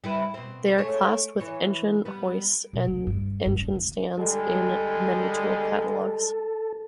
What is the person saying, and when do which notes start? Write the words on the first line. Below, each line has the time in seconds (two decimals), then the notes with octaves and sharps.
They are classed with engine hoists and engine stands in many tool catalogs.
0.04 G3 E4 B4
0.34 B2 C4
0.78 A3 G#4 C#5
1.40 E3 C#5
2.05 G3 B3
2.73 B2
2.88 D#3
3.07 G2
3.47 G2
3.60 C#4
3.75 D#3
4.18 D3 G3 G#3 A4